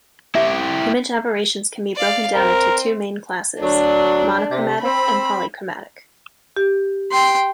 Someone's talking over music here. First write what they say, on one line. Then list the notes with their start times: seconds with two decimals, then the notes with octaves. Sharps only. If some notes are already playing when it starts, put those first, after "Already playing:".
Image aberrations can be broken down into two main classes, monochromatic, and polychromatic.
0.35 E4 G4 E5
1.96 D5 F5
2.35 C4 A#4
3.60 D2 F#3 D4
4.49 C3
4.83 C4 B5
6.57 G4
7.12 G5 C6